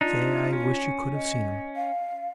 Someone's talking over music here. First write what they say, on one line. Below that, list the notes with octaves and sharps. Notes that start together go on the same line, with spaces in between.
Say, I wish you could have seen him.
D4 D#4 F4
C#4
D#5
F5